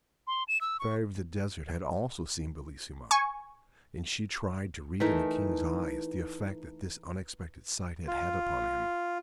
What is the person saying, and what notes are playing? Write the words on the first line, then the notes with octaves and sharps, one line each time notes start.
The Fairy of the Desert had also seen Bellissima, and she tried to read in the King's eyes the effect that this unexpected sight had had upon him.
C6
E7
E6
C#6
G#5 C#6
E3 A3 D#4 A#4
F4